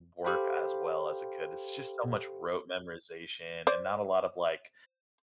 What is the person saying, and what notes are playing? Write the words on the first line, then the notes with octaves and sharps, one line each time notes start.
work as well as it could, it's just so much rote memorization and not a lot of, like,
G4 A4 C5 F5 G5 B5
C5 D5